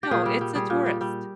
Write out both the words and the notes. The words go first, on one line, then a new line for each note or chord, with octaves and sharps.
No, it's a tourist.
G4
A#2 G#4
G3
G3
G3 G#4
A#2
G3
G3